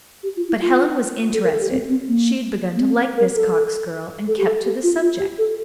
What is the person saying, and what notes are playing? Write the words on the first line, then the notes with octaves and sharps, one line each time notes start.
But Helen was interested; she had begun to like this Cox girl, and kept to the subject.
G4
F4
E4
F4
A4
A#4
A4
G4
C4
C4
A#3
A#3
C4
A#4
A4
A4
G4
A4
G4
F4
F4
G4
A4